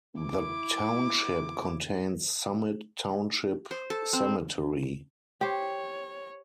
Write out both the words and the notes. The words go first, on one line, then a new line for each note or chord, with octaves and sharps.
The township contains Summit Township Cemetery.
E4 D6
C5
A4
C4
G4 C5 C#5